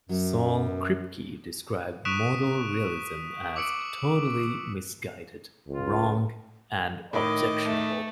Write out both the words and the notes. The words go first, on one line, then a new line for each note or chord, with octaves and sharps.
Saul Kripke described modal realism as "totally misguided", "wrong", and "objectionable".
F#2 F#3
C#6 D#6 F#6 B6 D7 E7
D6 E6 C#7 D7 F#7
C#2 F4
A2 D#3 D#5 D6
A3